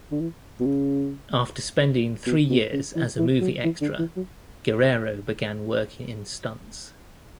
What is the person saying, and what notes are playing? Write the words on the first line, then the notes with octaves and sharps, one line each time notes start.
After spending three years as a movie extra, Guerrero began working in stunts.
D3
E3
B2
C#3
B2
B2
C#3
E3
E3
F#3
E3
D3
E3
F#3